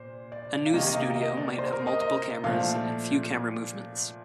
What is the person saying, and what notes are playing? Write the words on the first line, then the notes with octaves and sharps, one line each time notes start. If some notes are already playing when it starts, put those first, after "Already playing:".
A news studio might have multiple cameras and few camera movements.
Already playing: A#2 C5
D5
F5
C3 D#3 A#3 D#5
D#5
F5
D#5
D5
C5
A#4
D#5
D#5
A#2 F3 A3 F5